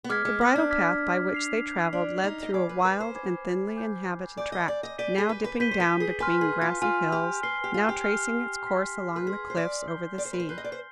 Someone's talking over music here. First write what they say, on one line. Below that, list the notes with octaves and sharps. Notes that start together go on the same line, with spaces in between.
The bridle-path by which they travelled led through a wild and thinly inhabited tract,--now dipping down between grassy hills, now tracing its course along the cliffs over the sea.
B3
G#3 D6 F6 G#6 B6
G#3
B3
D4
D6 F6 G#6 B6
F6 C7 F7
D4 F6 C7 F7
D#4
D#5
D5 G#5 B5 D6 G#6 C7
B4
B4
C5
G#5 B5 D6 G#6 C7
G#5 D6 G6
D5 G#5 D6 G6
D#5
D5
D#5
D5 G6 B6 D#7 G7
G#4
B4
B4
B4 G6 B6 D#7 G7
C5
B4
G#4
B4 G#5 C6 F6
G#4
F4
F4 G#5 C6 F6
G4
B4 F6 C7 G7
G4
F4
G4
F6 C7 G7
C6 F6 B6
B4
G#4 C6 F6 B6
C5
D5
G6 C7 G7
D5
C5
B4
C5
B4 G6 C7 G7
D#5
D5
C5